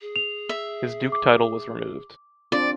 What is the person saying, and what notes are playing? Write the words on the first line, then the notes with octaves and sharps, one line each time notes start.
His duke title was removed.
G#4
F7
E5
D6
C4 D4 F4 D5